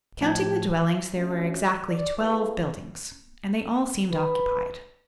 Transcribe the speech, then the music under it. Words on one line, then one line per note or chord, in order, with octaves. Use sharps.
Counting the dwellings there were exactly twelve buildings, and they all seemed occupied.
A2 F3 G5 A5 G#6
F3 A3 C#4 D4 F#4
D5
A#3 B3 E4 G#4 A4 B4
B4